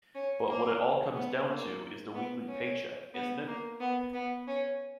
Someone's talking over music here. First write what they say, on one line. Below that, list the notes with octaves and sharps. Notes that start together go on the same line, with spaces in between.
But what it all comes down to is the weekly paycheck, isn't it?
C#4
A#3
B3
A#3
B3
C#4
B3
A#3
B3
B3
C#4